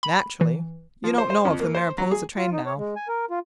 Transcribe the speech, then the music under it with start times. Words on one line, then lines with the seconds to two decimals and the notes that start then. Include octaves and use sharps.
Naturally you don't know of the Mariposa train now.
0.03 B5
0.41 E3
1.04 F3
1.18 C5
1.30 C5
1.45 F2
1.60 A#3
1.75 C5
1.98 F#3
2.11 G#4
2.37 F4
2.52 D#4
2.66 C#5
2.78 G#3
2.96 G#5
3.08 A#4
3.30 F4